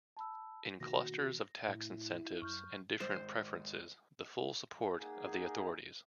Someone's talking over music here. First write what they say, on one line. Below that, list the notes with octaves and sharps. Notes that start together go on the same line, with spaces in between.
In clusters of tax incentives and different preferences, the full support of the authorities.
A5 B5 E6
B2 D#3 A#3 F#4 A#6
A2 E4
F#2 C#6 F6 G6
G#1 C5
A#3 D#4 G#4 F#5 G#5